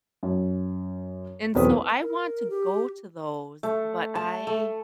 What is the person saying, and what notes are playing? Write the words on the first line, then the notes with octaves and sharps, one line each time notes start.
And so I want to go to those, but I
F#2
B1 E2 C4 B4 D#6
A#4
G4
A3
A5
A3